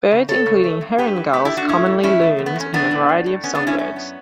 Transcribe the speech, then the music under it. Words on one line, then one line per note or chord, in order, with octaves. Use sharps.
Birds include herring gulls, common loons, and a variety of songbirds.
C#3
C#3 A4 C#5
C#3
A3
G2
G2 G4 B4
F#3
A3 G4 B4
E4 G4
A3
D4 F#4
A2 C#4 E4
A2
E2 C#4 E4
A3
E2
B3
E2 C#4
F#3 B3 D4
A2
A2
A2
B3 C#4
B3 D4
F#2
C#4 E4
F#2 C#4
B3